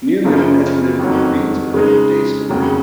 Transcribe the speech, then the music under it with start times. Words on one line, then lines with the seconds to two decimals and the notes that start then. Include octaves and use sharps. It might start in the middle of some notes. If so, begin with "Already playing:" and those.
Newman attended Greensboro Day School.
0.24 F#1 F#2 C#3 F3 A#3
0.99 F2 D#3 F#3
1.74 C#3 G#3 D#4
2.49 F1 D#2 C#3 F#3